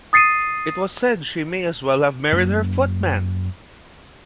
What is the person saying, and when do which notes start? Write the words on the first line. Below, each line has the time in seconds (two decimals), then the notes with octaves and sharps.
It was said she may as well have married her footman!
0.13 D#6 A6 C7 C#7 D#7
2.32 F#2 A#3